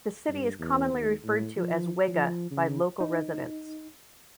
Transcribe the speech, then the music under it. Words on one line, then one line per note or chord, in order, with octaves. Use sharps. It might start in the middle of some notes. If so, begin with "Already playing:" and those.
The city is commonly referred to as "Wega" by local residents.
G2
E2
D#2
A2
F3
F3
C#3
D#4